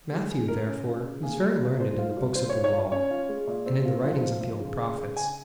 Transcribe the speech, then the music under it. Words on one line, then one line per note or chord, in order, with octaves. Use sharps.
Matthew, therefore, was very learned in the books of the Law, and in the writings of the old prophets.
G#3 G4
G#3 G#4
C#3 A#4
C#4
F4
C#3
A#3 G#4
G3
F4
G3 C5
F4
G3
F4 C5
C#5
F4
C#5
F4
C#4 C#5
F4
G#3
A#2
C4
F4
F3 C5
F4
F3
C#3
C#3
C#3
C#3 G#5